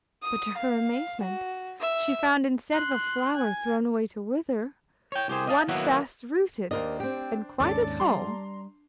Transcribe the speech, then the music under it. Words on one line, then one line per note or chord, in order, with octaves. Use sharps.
But to her amazement she found, instead of a flower thrown away to wither, one fast rooted and quite at home.
D#6
F5
F#4
E5
C6 F#6
G#5
C#5 G5
C2 G4 G#4 C5
D#5 F5 A5
D#3 F#3 A#3 B3 E4 F#4
D#2 D4 A#4 C5 D#5
C4 G4 G5
D#2 G#2 C#4 D4 A4 D5
G3 A#5 C6